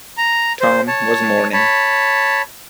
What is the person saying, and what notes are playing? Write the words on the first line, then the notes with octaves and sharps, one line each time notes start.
Tom was mourning.
A#5
C5
C#5 A5
C#5 A5 B5